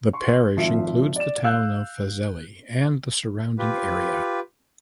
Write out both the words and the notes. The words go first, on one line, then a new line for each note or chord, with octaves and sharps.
The parish includes the town of Fazeley and the surrounding area.
C6 C#6
G#1 F3 E5
D5 E7
F5 E6 F#6 G6
F4 G4 B4